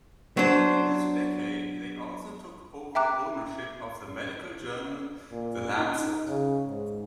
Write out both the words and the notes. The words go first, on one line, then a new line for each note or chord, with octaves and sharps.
In this decade they also took over ownership of the medical journal, "The Lancet".
F#3 B3 D4 C5
E5 G5 A#5 D6 F#6
A#2
D#4
C#3
G#2